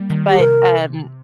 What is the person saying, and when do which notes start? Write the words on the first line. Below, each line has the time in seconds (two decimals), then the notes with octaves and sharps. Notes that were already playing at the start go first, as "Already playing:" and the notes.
but, um,
Already playing: G3 A#3
0.10 D#3
0.29 G4
0.39 C3 A#4